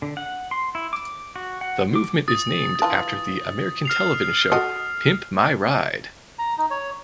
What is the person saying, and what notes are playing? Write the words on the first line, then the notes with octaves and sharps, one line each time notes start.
The movement is named after the American television show "Pimp My Ride".
D3
F#5
C6
E4
D6
F#4
F#5
D6
D#6 A6
E3 F4 A5
F6 C7 F7
F#4 A4 D#5
A#5
D#4
C#5